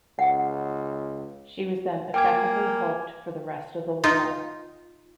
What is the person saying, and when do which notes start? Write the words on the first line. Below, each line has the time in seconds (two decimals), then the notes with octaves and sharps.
She was then effectively hulked for the rest of the war.
0.19 C#2 F#5
2.14 A#3 G5 G#5 D6 G#6
4.04 D#4 F4